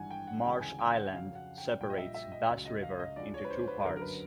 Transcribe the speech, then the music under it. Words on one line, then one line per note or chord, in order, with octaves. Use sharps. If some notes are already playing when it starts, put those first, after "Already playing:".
Marsh Island separates Bass River into two parts.
Already playing: G#1 G2 E3 G3 F#5 G#5
G5
F#5
D2 C#3 E3 G#3 G5
G#5
G5
F#5
F2 C#3 F#3 F5
F#5
G5
A#1 A#2 G3 G5
D#5
E5
E5
D#5
C#2 C#3 F#3
D#5
F5
D#5
D2 D3 F3 G#3 D5
C#5
B4
C5
B4
B4
G1 F#2 D3 F#3 A#4
A#4
B4